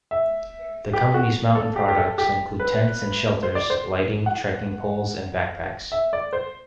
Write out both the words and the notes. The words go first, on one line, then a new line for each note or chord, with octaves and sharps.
The company's mountain products include tents and shelters, lighting, trekking poles and backpacks.
E5
G4
F#4
A4
G4
G4
A4
G4
B4
C5
D5
C5
F#5
E5
D5
C5